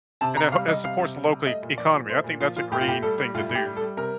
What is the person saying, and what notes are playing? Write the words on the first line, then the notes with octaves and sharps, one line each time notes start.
and it he it supports local e economy. I think that's a green thing to do,
C3 A5
C3 A#5
G3 F5
G3 D#5
C3 F5
C3
G3
G3
A3 D#5
A#2
F3 D5
A#2
A3 C5
A#2
F3 F4
A#2 F4
A2 G4
F4
A2 G4
G3 A4
G3
A2 F4
A2
G4
G3
A4
G3
C3 A#4